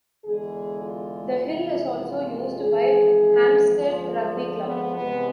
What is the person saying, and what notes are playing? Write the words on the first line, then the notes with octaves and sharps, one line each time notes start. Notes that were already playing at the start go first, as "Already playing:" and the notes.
The Hill is also used by Hampstead Rugby Club.
E2 D3 G#3 G#4
F4
F2 C3 E3 G#3 E4
F4
F2 E3 G#3 G#4
F2 D3 F3 G#3 F4
B3
E2 C3 G#3 B3